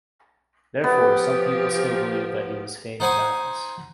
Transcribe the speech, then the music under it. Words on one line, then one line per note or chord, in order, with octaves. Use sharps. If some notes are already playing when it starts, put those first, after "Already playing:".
Therefore, some people still believe that he was feigning madness.
F3 B3 G4
D#4 C5 F#5 G#5 B5 D#6